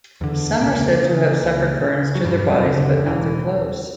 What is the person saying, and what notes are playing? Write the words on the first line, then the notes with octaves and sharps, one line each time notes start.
Some are said to have suffered burns to their bodies, but not their clothes.
E2 D3
C#2 A#2 A#3
C#3
C#2
C#3
F#3
E1 G2 G3
F#2 F#3
D2 C#3
D3
E1 E3